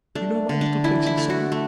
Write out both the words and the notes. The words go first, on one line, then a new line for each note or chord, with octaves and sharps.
You know my little place in Surrey?
A3 D4
D3
D4
E3 E4
E4
A3
F#4
A3